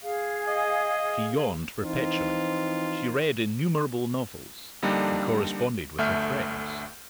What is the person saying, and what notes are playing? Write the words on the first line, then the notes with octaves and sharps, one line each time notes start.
She yawned perpetually; she read innumerable novels; she corresponded with her friends.
G#4 F5
D#5
E3 F3 C4 D#4 F4
F2 D3 G3 A#3 D4 D#4
G1 D2 A3 E5 F6 G6